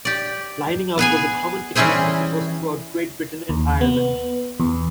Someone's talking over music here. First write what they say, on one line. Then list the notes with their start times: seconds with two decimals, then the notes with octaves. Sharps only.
Lining out was a common technique, as it was throughout Great Britain and Ireland.
0.05 G4 D5
0.99 B3 G#4 G#5
1.75 E3 G3 C#4 E4 G#4 C5
3.49 D#2
3.81 B3
4.60 E2